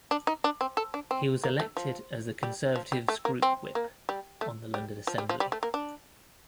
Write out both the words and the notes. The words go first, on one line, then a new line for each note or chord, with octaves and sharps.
He was elected as the Conservative's Group Whip on the London Assembly.
D4
D#4
D4
C4
A4
D4
C4
A#3
A3
F3
G3
F3
G3
A3
A#3
C4
A#3
G3
A3
G3
F3
G3
F3
G3
A3
A#3
D4